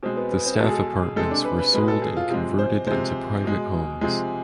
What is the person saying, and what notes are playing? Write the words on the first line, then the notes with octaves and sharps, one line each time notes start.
The staff apartments were sold and converted into private homes.
B2 G#3 C4
B3
B3
C4
B2 G#3 A4
G#4
A4
G#4
G#4
C3 G#3 A4
D4
B4
B4
B2 G#3 B4
A4
G#4
F4
C3 F3 G#3
C5
C3 F3 G#3 C5
B2 G#3
C3 F3 G#3